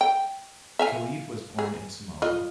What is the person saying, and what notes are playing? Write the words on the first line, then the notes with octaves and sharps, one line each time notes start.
Khalid was born in Somalia.
G5
E5 F5 G#5
G#4
F4 D#5